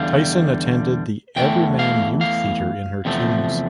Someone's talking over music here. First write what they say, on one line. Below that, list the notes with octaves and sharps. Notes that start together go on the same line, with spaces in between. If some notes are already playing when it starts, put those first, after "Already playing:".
Tyson attended the Everyman Youth Theatre in her teens.
Already playing: E2 D3 G3 F5
E2 E3 A3 G5
F5
F5
E2 C3 F3 A3